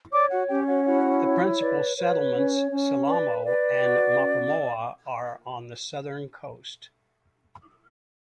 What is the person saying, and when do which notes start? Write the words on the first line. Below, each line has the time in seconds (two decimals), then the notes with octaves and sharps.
The principal settlements, Salamo and Mapamoiwa, are on the southern coast.
0.11 C#5 D5 D6
0.30 F#4 F#5
0.48 C#4 G4 G5
0.67 F#4 F#5
0.85 E4 F#4 F#5
1.23 C#5
1.59 B4 D5
1.96 B4 C#5
2.33 C#4
2.70 C#4
3.06 B4 D5
3.43 B4 D5
3.81 F#4
4.17 C#4